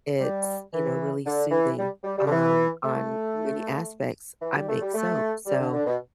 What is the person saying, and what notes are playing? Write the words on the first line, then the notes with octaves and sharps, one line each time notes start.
it's, you know, really soothing, um, on many aspects. I make soap, so
G3
E3
D3
E3
G3
G3
G3
D3
E3
A3
E3
G3
A3
G3
A3
G3
D3
D3
B2